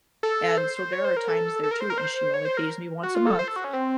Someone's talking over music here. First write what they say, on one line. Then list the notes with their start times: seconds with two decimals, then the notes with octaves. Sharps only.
and so there are times there too and she only pays me once a month,
0.23 A4
0.58 C5
0.93 C#5
1.05 C5
1.17 A#4
1.28 A4
1.63 A4
1.71 A#4
1.81 C5
1.90 A#4
1.98 C5
2.34 C#5
2.45 C5
2.57 A#4
3.03 F#4
3.15 F4
3.27 A4
3.39 C5
3.48 A4
3.56 F#4
3.64 C#4
3.73 C4